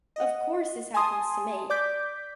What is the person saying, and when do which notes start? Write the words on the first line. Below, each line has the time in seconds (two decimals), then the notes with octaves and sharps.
"Of course, this happens to me."
0.16 D#5 F#5
0.94 G#5 A5 C6 D#6
1.70 D5 D6 G6 B6